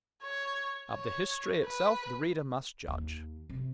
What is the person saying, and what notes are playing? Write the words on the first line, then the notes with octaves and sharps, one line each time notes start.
Of the history itself the reader must judge.
C#5
C#5
B4
D#2
C3